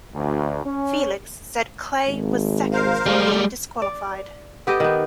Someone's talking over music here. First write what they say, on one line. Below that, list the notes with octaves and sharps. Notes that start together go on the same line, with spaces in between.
Felix said Clay was seconds from being disqualified.
D2
C#4
G#1
A#4 C5 F5
G3 G#3
D5
B3 G4 A4 D#5
D#3 B3